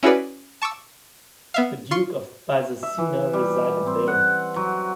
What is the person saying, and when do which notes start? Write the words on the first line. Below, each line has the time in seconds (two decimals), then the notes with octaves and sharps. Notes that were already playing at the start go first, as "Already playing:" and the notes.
The Duke of Byzacena resided there.
0.03 C#4 E4 F#4 G#4 B4 D5
0.62 A5 C#6 D6 E6
1.54 B3 E5 F5
1.91 F4 C6 C#6
2.83 E5
2.98 E3
3.33 G3
3.86 C4
4.08 F#5
4.56 F#3